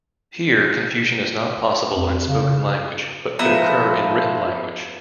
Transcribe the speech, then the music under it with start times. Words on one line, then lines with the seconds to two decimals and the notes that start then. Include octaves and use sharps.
Here confusion is not possible in spoken language but could occur in written language.
1.95 F2
2.28 C#3
3.39 F3 B3 E5 A#5